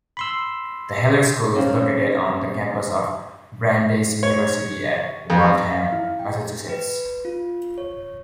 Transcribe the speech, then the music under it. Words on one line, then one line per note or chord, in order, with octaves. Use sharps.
The Heller School is located on the campus of Brandeis University at Waltham, Massachusetts.
B5 C6 E6
C#3 A#3 C4
C#5
F2
F5
E4
G5
B4
F4
C#5